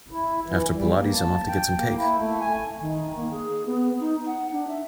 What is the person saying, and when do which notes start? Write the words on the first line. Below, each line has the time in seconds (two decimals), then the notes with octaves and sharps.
After pilates, I’m off to get some cake.
0.11 E4
0.46 E3
0.73 G3
0.96 A#3
1.14 A5
1.48 G5
1.76 A#3
1.97 E4
2.17 A3
2.41 G#5
2.81 D#3
3.16 A#3
3.31 G#4
3.66 B3
4.00 D#4
4.26 F#5
4.52 D4
4.68 E5